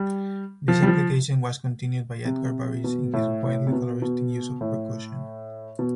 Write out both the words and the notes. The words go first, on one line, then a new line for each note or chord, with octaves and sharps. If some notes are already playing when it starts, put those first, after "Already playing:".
This application was continued by Edgard Varese in his wildly coloristic use of percussion.
Already playing: G3
F3
G3
F3
C3
B2
A2
A2
C3
B2
B2
A2
B2